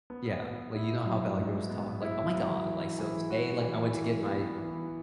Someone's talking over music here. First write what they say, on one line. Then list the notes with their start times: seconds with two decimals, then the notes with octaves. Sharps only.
Yeah, like, you know how valley girls talk? Like, "Oh my god, like, so today, like, I went to get my"
0.10 B3
0.42 B3
0.75 E4
1.06 F#3
1.39 G#2
1.70 B3
2.02 E4
2.35 F#3
2.65 E3
2.99 E3
3.30 F#4
3.62 E3
3.93 E3
4.26 B3
4.58 E3